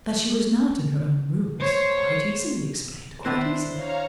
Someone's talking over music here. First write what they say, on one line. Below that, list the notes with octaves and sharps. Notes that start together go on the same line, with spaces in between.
That she was not in her own room was quite easily explained--quite easily.
C5 C#5
D#3 D4 E4 B4 C5 F#6 A#6
C#5 F5 A#5